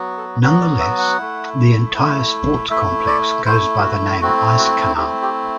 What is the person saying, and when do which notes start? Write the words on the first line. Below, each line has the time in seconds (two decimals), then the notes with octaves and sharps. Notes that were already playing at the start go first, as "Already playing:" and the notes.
Nonetheless, the entire sports complex goes by the name Eiskanal.
Already playing: F#3 B3 F#4
0.17 A4
0.42 F#3 B3 F#4 B4
0.61 D5
0.80 E5
0.98 F#5
1.18 A3 E4
1.94 A3 E4
2.70 A3 E4 E5
3.07 D5
3.45 A3 E4 C5
3.78 G4
3.83 F#4
4.21 A3 C4 E4 F#4
4.58 F#4
4.96 A3 C4 E4 G4
5.22 G4